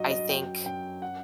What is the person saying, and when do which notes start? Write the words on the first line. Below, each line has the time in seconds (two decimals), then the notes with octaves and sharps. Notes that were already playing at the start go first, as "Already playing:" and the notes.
I think
Already playing: G2 F#3 D#5 F#5
0.11 D#5
0.29 F#2 G5
0.66 F#2 G5
1.02 F#5